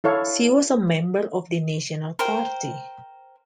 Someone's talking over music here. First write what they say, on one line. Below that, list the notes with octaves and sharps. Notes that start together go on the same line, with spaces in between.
She was a member of the National Party.
E4 A4 C#5 F5
A#4 C5 G5